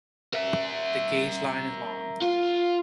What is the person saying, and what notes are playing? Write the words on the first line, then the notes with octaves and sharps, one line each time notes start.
The gauge line is long.
A#4 E5
F4